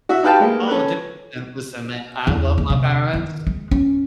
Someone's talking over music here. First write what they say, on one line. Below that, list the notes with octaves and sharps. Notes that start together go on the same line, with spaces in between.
Oh, dude, listen listen man, I love my parents
F#4 E5
D#4 G4 B4 F5 G5 A5
G#3 A#3
C#4 A4 B4
E2
A3
C3
D#3
G#3
C#4